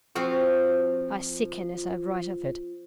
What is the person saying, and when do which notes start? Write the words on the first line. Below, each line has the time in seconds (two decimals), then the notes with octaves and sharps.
I sicken as I write of it.
0.15 F3 C4 F#4